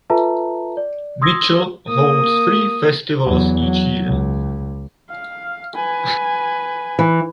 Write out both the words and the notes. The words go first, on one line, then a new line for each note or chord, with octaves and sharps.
Mitchell holds three festivals each year.
F4 A4 B4 E5 A5 A#5
D5
C6 D#6 E6 G#6 A#6
A#3 D#6
E2 F#3
F#3
C#2
F5
B4 G#5
E3